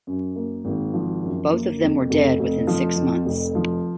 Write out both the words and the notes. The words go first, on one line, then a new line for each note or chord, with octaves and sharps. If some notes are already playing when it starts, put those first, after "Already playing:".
Both of them were dead within six months.
F#2
A#3
G#1
F3
F#2
A#3
F2
F1
F1
F3
F2
F1
F3